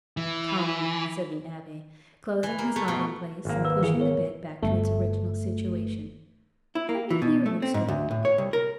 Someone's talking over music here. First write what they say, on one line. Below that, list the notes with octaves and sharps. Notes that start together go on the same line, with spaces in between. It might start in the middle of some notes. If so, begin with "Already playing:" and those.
"Come," said the abbe, closing his hiding-place, and pushing the bed back to its original situation, "let me hear your story."
E3
E3
A#3
A3
B2
G#1 A#3
B4 E6
E3 E4 G#4
A#4 C#5
G1 A3
E4
A#3
E3
B2
A3
C4
G#2
D2
A2
C#5
C2
A#4